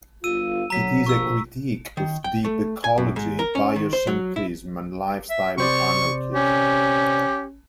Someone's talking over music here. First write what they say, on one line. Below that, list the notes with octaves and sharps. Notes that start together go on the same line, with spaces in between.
It is a critique of deep ecology, bio-centrism and lifestyle anarchism.
G1 F4 E6 D#7
D2 F#3 A#5 B6
A#1 D3 F3 C#6 E6
D#3
G5
A3
G#5
F#2
G#2
A#4
C#4
D#3
C5
F#3
E4
E5
C3 C5 D5 C#6
C#4 G4